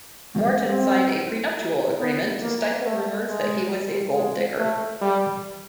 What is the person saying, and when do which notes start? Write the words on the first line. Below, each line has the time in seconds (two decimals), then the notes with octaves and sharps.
Morton signed a prenuptial agreement to stifle rumors that he was a gold digger.
0.69 C4
1.99 B3
2.42 A#3
2.86 A3
3.29 G#3
4.15 G#3
4.59 A3
5.02 G3